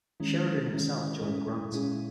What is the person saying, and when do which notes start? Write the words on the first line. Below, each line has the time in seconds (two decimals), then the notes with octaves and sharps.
Sheridan himself joined Grant.
0.20 D#3 G#3 C#4 E4
0.71 D#3 G#3 C#4 E4
1.21 A#2 G#3 C#4 E4 G#4
1.72 A#2 G#3 C#4 E4 G#4